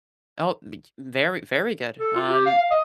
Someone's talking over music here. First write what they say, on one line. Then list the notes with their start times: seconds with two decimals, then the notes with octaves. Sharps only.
oh, b j very, very good, um,
2.00 A4
2.15 F4
2.30 G4
2.46 F5
2.58 F5
2.71 D#5